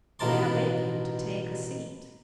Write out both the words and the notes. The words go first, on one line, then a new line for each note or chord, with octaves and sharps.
May I beg you to take a seat?'
A1 B2 D#3 A#4 A5 C6